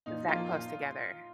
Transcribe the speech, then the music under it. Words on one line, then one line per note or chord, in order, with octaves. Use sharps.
that close together.
A#2 D#4
F3 A#3 F4
A#2